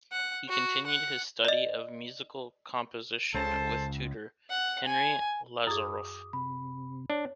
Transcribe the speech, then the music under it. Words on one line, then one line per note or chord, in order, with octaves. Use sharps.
He continued his study of musical composition with tutor Henri Lazarof.
F#5
F#4
F#5
D5 D#5
C#2 C#3 A4 C5 A5
F#5
G#5
F#2 G#4 D6 D#6
C3 B5
D4 C#5